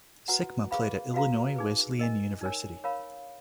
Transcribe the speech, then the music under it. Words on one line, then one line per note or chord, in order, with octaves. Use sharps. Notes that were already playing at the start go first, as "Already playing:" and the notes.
Sikma played at Illinois Wesleyan University.
F#4 B4 F#5 A#5
G#4 B4 F5 B5
F#4 B4 F5 A#5
D#4 G#4 B4
A#4 D#5 G#5
D#4 A#4 C#5 G#5
A#4 C#5 F5 B5